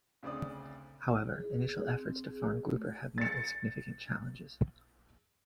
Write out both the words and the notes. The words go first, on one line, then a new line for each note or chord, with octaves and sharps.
However, initial efforts to farm grouper have met with significant challenges.
D2 C#3 C4 D5 D#6
G#4
G#4
C4
G#4
A3
A6 C#7